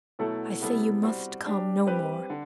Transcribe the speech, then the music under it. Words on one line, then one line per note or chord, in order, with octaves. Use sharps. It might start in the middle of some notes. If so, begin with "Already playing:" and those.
I say you must come no more.
B2 F#3 A3 E4 A4
C3 G3 B3 E4 A4
G3 C4 F#4 C5
G3 D4 G4
G3 C4 G4 B4
D3